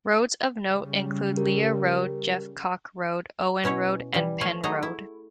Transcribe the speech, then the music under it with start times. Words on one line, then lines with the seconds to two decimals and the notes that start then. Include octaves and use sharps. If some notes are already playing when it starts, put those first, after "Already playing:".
Roads of note include Lea Road, Jeffcock Road, Owen Road and Penn Road.
0.64 C#3 G3
1.37 G4 A#4
3.64 B2 C#4 E4 C#5
4.14 E3 G3
4.41 A3 C#5 F5 G#5
4.63 F#3 A3 D#4 G#4 A#5
4.83 E4